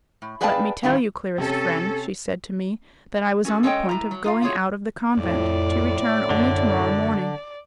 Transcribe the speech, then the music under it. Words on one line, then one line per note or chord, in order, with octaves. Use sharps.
'Let me tell you, clearest friend,' she said to me, 'that I was on the point of going out of the convent, to return only tomorrow morning.
A2
G#4 B4 D5 F5 G5 A5
D#3 G3 E4 F4 G4
C3 C#4 A4
C#4 F#4 A4
G#3 C#4 A4 C#5 D#5 G5
A2 A#5
F#3
D#4 F4 F5
A3 F4 F#4 G#4 C#5
F2 A2 D5
F#2 D3